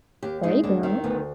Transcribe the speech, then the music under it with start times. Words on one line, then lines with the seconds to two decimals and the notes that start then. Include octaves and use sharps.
There you go.
0.23 D#2 G4
0.43 G#3 D#4
0.63 D#2 D4
0.83 D#3 C4
1.04 D2 B3